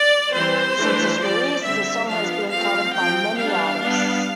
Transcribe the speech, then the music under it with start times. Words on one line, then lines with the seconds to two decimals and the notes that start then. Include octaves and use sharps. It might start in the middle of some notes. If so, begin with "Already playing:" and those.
Since its release, the song has been covered by many artists.
Already playing: D5
0.32 E3 G3 C4 C5
0.75 E3 A3 D4
1.19 F3 C4 D5
1.63 D3 G3 C4 E5
2.06 F3 B3 D4 F5
2.51 F3 A3 C4 F5
2.94 F3 C4 G5
3.37 G3 B3 D4 F5
3.81 G3 B3 D4